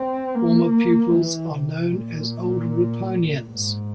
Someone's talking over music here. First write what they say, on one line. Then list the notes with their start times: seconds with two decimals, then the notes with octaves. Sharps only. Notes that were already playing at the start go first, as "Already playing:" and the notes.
Former pupils are known as Old Riponians.
Already playing: C4
0.34 A#3
1.13 E3
1.53 C3
1.92 A#2
3.50 G#2